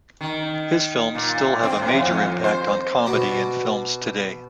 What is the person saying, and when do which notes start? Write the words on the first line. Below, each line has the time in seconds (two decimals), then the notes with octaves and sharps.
His films still have a major impact on comedy in films today.
0.21 D#3
1.15 A#2
1.63 C4
1.80 A2
1.95 F2
2.44 C5
3.06 B2 F#4 D5